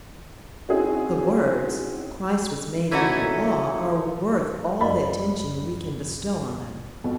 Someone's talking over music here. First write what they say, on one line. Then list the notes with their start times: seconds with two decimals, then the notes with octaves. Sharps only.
The words, "Christ was made under the law," are worth all the attention we can bestow on them.
0.69 C4 C#4 D#4 E4 F#4 G#4
2.91 E3 A3 C#4 D#4 E4 F#4
4.81 F#2 D5 D#5 B5
7.04 F2 B2